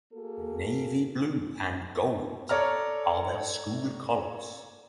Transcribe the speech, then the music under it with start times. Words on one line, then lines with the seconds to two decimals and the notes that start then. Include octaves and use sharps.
Navy blue and gold are their school colors.
0.13 A#3 F#4 G#4 A4
2.49 A4 C#5 D5 A#5 F6